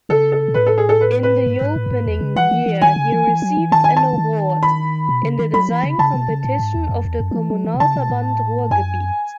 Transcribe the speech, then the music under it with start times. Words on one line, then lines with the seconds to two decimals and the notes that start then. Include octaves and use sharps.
IN the opening year he received an award in the design competition of the Kommunalverband Ruhrgebiet.
0.09 C#3 A4
0.32 A4
0.48 B2
0.54 A2 B4
0.67 A4
0.78 G#4
0.89 A4
1.01 B4
1.23 B4
1.46 G#2
1.61 G#2
1.76 A2
1.86 F#2
1.91 G#2
2.06 E2
2.21 C#3
2.36 E3 F#5
2.51 E3
2.66 E3
2.82 D#3 G#5
2.96 C#3
3.12 E3
3.27 E3
3.42 F#3
3.57 E3
3.72 D#3 A5
3.84 G#5
3.97 A5
4.13 C#3
4.18 D#3
4.63 B5
5.09 B2
5.23 C#3
5.39 D#3
5.53 F#3 B5
5.69 E3
5.83 C#3
5.99 C#3 A5
6.14 B2
6.29 C#3
6.44 A2
6.59 G#2
6.75 E2
6.89 F#2
7.05 E2
7.20 F#2
7.31 F#3
7.35 E3
7.50 F#3
7.65 E3
7.74 B2
7.80 C#3 A5
7.96 B2
8.10 A2
8.71 F#2 G#5